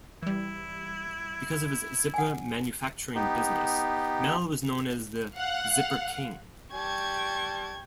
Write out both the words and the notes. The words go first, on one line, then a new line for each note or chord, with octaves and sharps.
Because of his zipper manufacturing business, Mel was known as "The Zipper King".
E3 G3 E4
F#5 G#5
B3 D#4 G4
F5 F#5
G3 G5 A5 C#6 G#6